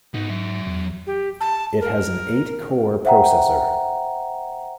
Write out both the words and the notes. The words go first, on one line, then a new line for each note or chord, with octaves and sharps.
It has an eight-core processor.
G#2 B3 D#4
F#3 E5
E2
G4
A5
A#4
C5 E5 F#5 G5 A#5